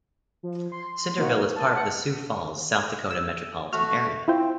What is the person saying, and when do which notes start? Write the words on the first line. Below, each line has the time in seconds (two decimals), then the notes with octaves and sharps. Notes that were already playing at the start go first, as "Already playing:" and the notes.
Centerville is part of the Sioux Falls, South Dakota metropolitan area.
0.43 F3
0.72 C6
1.18 A#3 D#4 F#4
1.56 A5
1.76 F#5
3.11 E6
3.73 A3 F#4 F6
4.28 C4 E4 F4 C5